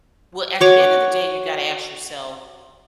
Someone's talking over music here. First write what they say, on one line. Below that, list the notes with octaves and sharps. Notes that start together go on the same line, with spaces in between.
well, at the end of the day, you gotta ask yourself,
F#4 C#5 D6